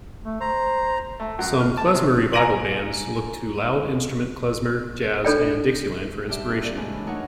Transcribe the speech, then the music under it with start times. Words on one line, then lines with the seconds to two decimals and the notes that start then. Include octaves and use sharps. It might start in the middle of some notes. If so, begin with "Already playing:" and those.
Some klezmer revival bands look to loud-instrument klezmer, jazz, and Dixieland for inspiration.
0.24 A3
0.41 C5 A#5
1.20 A3
1.39 F#2
1.61 F6
1.77 A5
1.94 C3
2.33 G#5 A#5 A#6 D7 D#7 F#7
5.25 D4 A4 D5 G5
6.28 G3 D4 G4 D5 E5
6.49 A#2 C4
6.64 D5
6.76 A2 C#3 G#3
6.93 E3 D4
7.07 A3 D#4 A#4 C#5 F#5